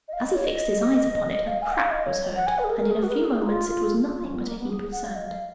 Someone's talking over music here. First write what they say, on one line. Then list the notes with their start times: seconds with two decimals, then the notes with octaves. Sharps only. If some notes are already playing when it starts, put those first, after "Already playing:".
As he fixed his eyes upon it a crack was heard, and in a few moments it was nothing but a heap of sand.
0.08 D#5
0.13 F5
0.24 D#5
0.35 C#5
0.46 D#5
1.47 F5
1.62 G#5
1.72 F#5
1.77 F5
1.91 D#5
2.06 C#5
2.36 F#5
2.47 G#5
2.58 B4
2.64 G#4
2.70 A#4
2.80 A#4
2.91 G#4
3.03 F#4
3.09 B4
3.14 A#4
3.24 G#4
3.42 D#4
3.46 F4
3.70 F4
4.14 F4
4.24 C#4
4.36 B3
4.47 A#3
4.59 B3
4.70 G#4
4.92 F#5
5.03 F5
5.16 D#5
5.27 F5